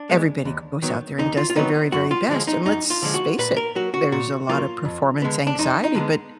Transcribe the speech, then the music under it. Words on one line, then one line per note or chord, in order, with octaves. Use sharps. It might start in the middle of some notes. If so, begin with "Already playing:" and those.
Everybody goes out there and does their very, very best, and let's face it, there's a lotta performance anxiety, but
Already playing: D4
G#3 B3
D#2
D#3 F#3 B3
D#2 D#4
F4
F4
D#3 F#3 B3 D#4
F#2 F#4
F4
D3 F3 G#3
D#4
F#2 D#4
F4
D3 F3 G#3
F#4
A#2 B4
A#4
F#3 A#3 F#4
F#4
A#2 F#4
F#3 A#3 F4
F2
D3 G#3 B3
D4
F2 D#4
D#4
D3 G#3 B3